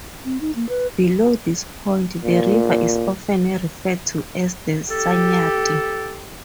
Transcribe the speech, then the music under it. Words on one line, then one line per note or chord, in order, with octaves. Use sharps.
Below this point, the river is often referred to as the Sanyati.
C4
D#4
A#3
B4
A#2
G4 A4